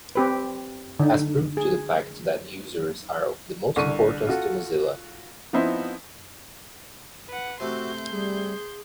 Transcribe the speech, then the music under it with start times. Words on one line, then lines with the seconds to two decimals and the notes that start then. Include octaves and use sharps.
As proof to the fact that users are of the most importance to Mozilla.
0.15 C4 G4 B4
1.00 D3 D#4
1.57 G#4
3.76 C2 D3 C#6 D#7
4.27 F4 F#4 A4
5.53 F3 B3 C4 D#4 E4 C5
7.28 B4 F#5
7.60 C3 A3 F#4 C6 G6
8.11 G3 G#4